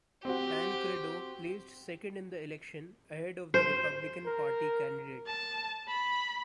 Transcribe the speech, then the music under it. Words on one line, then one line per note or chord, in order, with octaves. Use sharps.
Tancredo placed second in the election, ahead of the Republican Party candidate.
C4 F#4 G4
C5
A#4
A5
B5